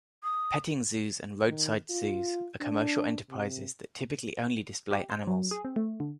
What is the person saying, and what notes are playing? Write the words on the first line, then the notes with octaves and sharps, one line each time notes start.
Petting zoos and roadside zoos are commercial enterprises that typically only display animals.
D#6
D#3
F4
D4
C3
G4
C5
F#3
G#4
C4
A3
D3